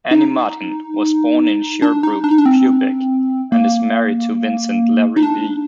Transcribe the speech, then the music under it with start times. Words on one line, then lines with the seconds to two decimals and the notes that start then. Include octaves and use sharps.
Annie Martin was born in Sherbrooke, Quebec, and is married to Vincent Larivee.
0.11 D#4
1.82 D4
2.03 D#4
2.24 D4
2.31 D#4
2.38 D4
2.46 C4
3.52 A#3
5.16 D#4
5.23 D4